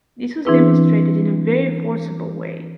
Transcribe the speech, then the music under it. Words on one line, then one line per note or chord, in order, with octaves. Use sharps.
This was demonstrated in a very forcible way.
E3 C4 D4 E4 G#4 B4